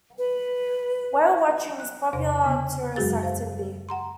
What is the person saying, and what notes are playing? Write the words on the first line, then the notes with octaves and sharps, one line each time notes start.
Whale watching is a popular tourist activity.
B4
F#6
E2 C3 D4 C5
C#3 B3
F#2 F#3 G#3 F#4 G#4 A6
C5 F5
F#5 A#5 C6